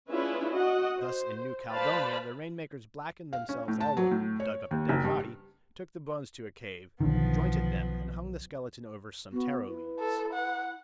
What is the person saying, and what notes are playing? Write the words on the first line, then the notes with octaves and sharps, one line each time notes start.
Thus in New Caledonia the rain-makers blackened themselves all over, dug up a dead body, took the bones to a cave, jointed them, and hung the skeleton over some taro leaves.
C#4 D4 E4 F4 G#4 B4
F#4 D#5 F#5
C5
B4 C5 D5 F5 A5 B5
F5
C#4
A2
A5
F#3
A2
C#5
D#2
F#1
G2
B1 D3 D#3 F3 B3
B3 F#4
E4 B4
A4
F#5